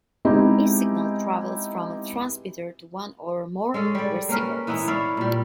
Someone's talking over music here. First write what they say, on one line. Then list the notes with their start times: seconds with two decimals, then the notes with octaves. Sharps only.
Each signal travels from a transmitter to one or more receivers.
0.25 G#3 B3 C4 D#4 E4 G4
3.74 G#3 C#4 A4
3.95 G3 D5
4.29 A#3 C#4 A#4 B4
4.67 E3 B3 D#4 E4
4.88 E4 C#5 D5 F5
5.17 A#2 G3